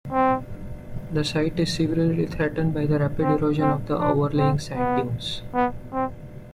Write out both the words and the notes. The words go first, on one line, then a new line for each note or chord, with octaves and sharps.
The site is severely threatened by the rapid erosion of the overlying sand dunes.
C4
C4
C4
D4
C4
B3
B3
C4